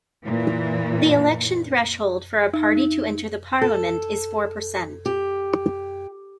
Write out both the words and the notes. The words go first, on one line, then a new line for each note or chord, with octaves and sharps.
The election threshold for a party to enter the parliament is four per cent.
A#2 E3
D#4
A4
G4